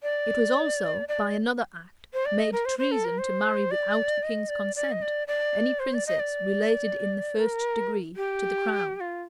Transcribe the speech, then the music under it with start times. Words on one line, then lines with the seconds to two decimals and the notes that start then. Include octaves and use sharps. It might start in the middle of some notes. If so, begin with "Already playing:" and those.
It was also, by another act, made treason to marry, without the king's consent, any princess related in the first degree to the crown.
0.03 D5
1.08 D5
2.14 C5
2.25 D5
2.39 D#5
2.52 A#4
2.65 C5
2.79 C5
2.92 A4
3.05 A#4
3.18 C5
3.71 D5
4.23 D#5
4.49 D5
4.76 D5
4.92 D#5
5.02 D5
5.27 D5
5.80 C5
5.94 D5
6.07 D#5
6.19 D5
7.38 A#4
8.16 G4
8.95 G4
9.00 F4